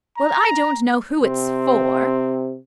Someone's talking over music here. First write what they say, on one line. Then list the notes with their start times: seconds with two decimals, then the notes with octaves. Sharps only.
Well, I don't know who it's for!
0.17 A#5
1.23 C3 C4